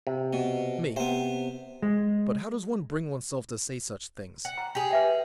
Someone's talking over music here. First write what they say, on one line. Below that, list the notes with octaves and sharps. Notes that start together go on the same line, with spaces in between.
ME: But how does one bring oneself to say such things?
C3
B2
C3 B3 C5
G#3
F#5
A#5
G4 G#4
B4 E5 G5